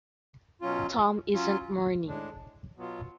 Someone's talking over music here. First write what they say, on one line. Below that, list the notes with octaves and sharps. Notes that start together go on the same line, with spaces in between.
Tom isn't mourning.
B2 F#3 C#4 F4
F#3 C#4 F4
A2 G#3 D4
B2 F#3 B3 F4